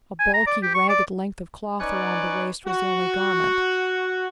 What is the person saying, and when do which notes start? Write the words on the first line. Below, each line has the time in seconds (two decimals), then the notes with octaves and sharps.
A bulky, ragged length of cloth around the waist was the only garment.
0.20 G#5
0.34 A#5
0.47 D5
0.63 G4
0.74 C#6
0.89 D5
1.80 C#4 D#4 B4 C#5 D5
2.66 F#4